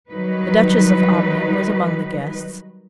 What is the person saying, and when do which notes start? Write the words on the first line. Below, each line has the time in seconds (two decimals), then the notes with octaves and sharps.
The Duchess of Omnium was among the guests.
0.11 D#3 F#3 G3 D#4 B4